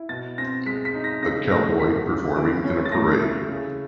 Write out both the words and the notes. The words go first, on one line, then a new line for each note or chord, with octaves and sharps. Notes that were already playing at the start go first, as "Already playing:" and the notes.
A cowboy performing in a parade.
Already playing: E4
B2 A6
C4 A#6
G#3 B6
B6
D#4
A#6
C#3 A#6
A3 A#6
F3 B6
C#3
E3
C#4
A6
A3 A#6
E4
C#3